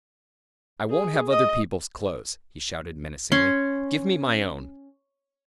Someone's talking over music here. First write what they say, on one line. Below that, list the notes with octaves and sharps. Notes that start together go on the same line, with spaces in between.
"I won't have other people's clothes!" he shouted menacingly, "give me my own!"
G#4
D#5
C#4 C6